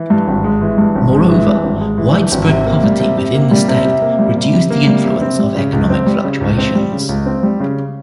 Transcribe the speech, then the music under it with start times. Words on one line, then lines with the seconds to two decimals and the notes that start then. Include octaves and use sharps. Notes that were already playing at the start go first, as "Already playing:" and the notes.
Moreover, widespread poverty within the state reduced the influence of economic fluctuations.
Already playing: E3
0.10 G2
0.28 G#1
0.44 G#3
0.61 E3
0.78 G2
0.96 G#1
1.13 G#3
1.30 E3
1.46 G2
1.64 G#1
1.81 G#3
1.98 E3
2.15 G2
2.32 G#1
2.49 C3
2.66 A#3
2.83 G3
3.00 C3
3.18 C3
3.34 A#3
3.51 G3
3.68 C3
3.85 C3
4.02 A#3
4.19 G3
4.37 C3
4.53 C3
4.70 A#3
4.87 G3
5.05 C3
5.22 C4
5.39 G3
5.56 C#3
5.73 C#2
5.90 C4
6.06 G3
6.24 C#3
6.41 C#2
6.58 C4
6.75 G3
6.92 C#3
7.09 C#2
7.26 C4
7.43 G3
7.60 C#3